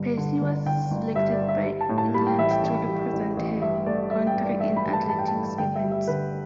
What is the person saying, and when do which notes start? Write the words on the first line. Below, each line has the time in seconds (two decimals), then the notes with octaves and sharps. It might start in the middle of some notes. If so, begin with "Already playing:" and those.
Piercy was selected by England to represent her country in athletics events.
Already playing: G1 G2
0.17 D3
0.41 G1
0.66 D3 G5
0.91 G1
1.15 G2 E5
1.32 D5
1.41 G2
1.48 E5
1.65 G3
1.81 A5
1.89 A2
1.98 A5
2.14 G3 B5
2.27 G5
2.39 A1 E5
2.51 G5
2.63 A1
2.88 G3
3.13 A1
3.37 A1
3.62 G2 E5
3.86 A3 D5
4.11 G2 E5
4.27 G5
4.35 G2
4.44 D5
4.60 A3 E5
4.76 B5
4.85 G2
4.93 A5
5.10 G2 A5
5.19 G5
5.28 A5
5.34 A3
5.58 G1 G5
5.75 E5
5.84 G3
5.91 E5
6.08 D3 B4